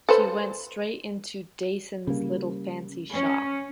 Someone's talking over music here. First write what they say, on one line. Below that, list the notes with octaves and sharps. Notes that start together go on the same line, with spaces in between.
She went straight into Dayson's little fancy shop.
A4 B4 C5
C#3 G3 A#3
C#4